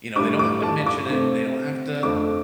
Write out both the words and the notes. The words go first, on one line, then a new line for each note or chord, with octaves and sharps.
you know, they don't have to mention it, they don't have to
A2 G3 D4 D6
D6
A5
D6
C3 A3 C4
F2 F3 A3 D4 D6